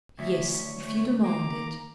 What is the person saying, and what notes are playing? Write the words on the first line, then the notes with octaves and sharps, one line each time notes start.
"Yes, if you demand it."
D2 C#5 E5
A3
A#3 A#5 D6